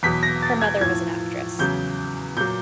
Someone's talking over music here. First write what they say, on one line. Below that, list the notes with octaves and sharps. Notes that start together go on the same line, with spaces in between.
Her mother was an actress.
E2 B2 F#3 B6
A#6
A6
G#6
A2 F3 G#6
E2 C#3 F#3 G6
A#2 F#3 G6